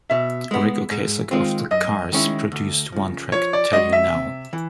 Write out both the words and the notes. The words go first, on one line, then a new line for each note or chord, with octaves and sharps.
Ric Ocasek of the Cars produced one track, Tell You Now.
B2 E5
G#3 B3
G#2
D#3 G#3 C4 F4
F#2 D#5
D#3 G#3 C#4 E4
D2
C#3 F3
F3 C#5
D5
G#3 C#4 F#4 D#5
E5
C3
E3